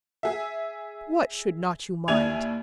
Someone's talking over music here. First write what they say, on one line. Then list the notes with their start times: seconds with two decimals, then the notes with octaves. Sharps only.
"What should not you mind?"
0.23 G#4 E5
2.08 D#2 D4 E4 G#5 G#6 F7